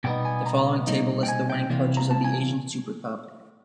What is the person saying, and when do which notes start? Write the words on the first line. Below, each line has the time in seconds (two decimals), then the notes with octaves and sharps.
The following table lists the winning coaches of the Asian Super Cup.
0.04 B2 G3 B3 D#4 G5
0.25 G#5
0.46 A#5
0.87 B2 G3 A#3 D#4
1.23 G5
1.28 G#5
1.50 G5
1.69 C3 E3 G3 A#3
1.97 A#5
2.11 A5
2.24 G#5